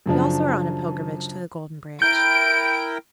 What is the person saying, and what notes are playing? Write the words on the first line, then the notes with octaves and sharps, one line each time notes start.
'We also are on a pilgrimage to the Golden Branch.'
F#2 C#3 F3 D4
E4 A#4 G5 G6 D7